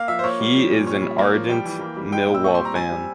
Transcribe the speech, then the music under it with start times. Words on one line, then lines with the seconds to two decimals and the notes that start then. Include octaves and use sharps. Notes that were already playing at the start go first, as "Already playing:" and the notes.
He is an ardent Millwall fan.
Already playing: A#3 F5
0.08 F3 E5
0.19 C5
0.24 A#3 C#5
0.40 G3
0.56 F3
0.71 A#2
0.87 C#4 C#5
1.02 G3
1.18 A#3
1.34 F3
1.49 G3 G5
1.65 E3
1.81 A#3
1.97 G3
2.12 G#3 G5
2.29 A#2
2.34 E6
2.44 C4 C#6
2.55 G3 C6
2.65 A#5
2.75 C4 G#5
2.91 G3